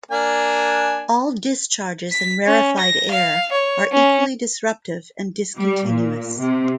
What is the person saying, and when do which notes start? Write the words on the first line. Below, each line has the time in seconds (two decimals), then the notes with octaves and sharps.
All discharges in rarefied air are equally disruptive and discontinuous.
0.11 A#3 D4 G#5
2.11 B6
2.46 C#4
2.79 A#6
3.11 F5
3.52 C#5
3.92 C#4
5.57 G3
5.88 A#2
6.41 C3